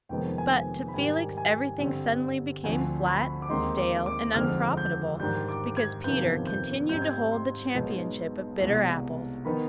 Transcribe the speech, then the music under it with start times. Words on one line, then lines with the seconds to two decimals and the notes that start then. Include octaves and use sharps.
But to Felix everything suddenly became flat, stale, and unprofitable, because Peter continued to hold the championship of bitter apples.
0.09 F1 F2 D#3 G#3 B3 G5
0.38 G#5
0.88 B5
0.94 G#2 D#3 G3 G#5
1.38 G#5
1.79 G2 D3 G3 C4
2.64 D2 D3 F3 C4 G#5
3.07 B5
3.42 D6
3.49 D#2 D#3 G#3 C4 D#4 C6
3.78 D6
4.06 D6
4.34 F2 D3 G#3 C4 D#4 F6
4.77 G6
5.20 G#2 D#3 G3 D4 G6
5.48 D6
5.77 G#6
6.04 G1 F2 C3 D#3 B3 G6
6.47 G6
6.89 G#2 G3 C4 D#4 G6
7.02 G#6
7.13 G6
7.31 C6
7.74 B1 B2 G#3 B3 D#4
8.60 C2 B2 G#3
9.45 D#3 B3 D#4 B5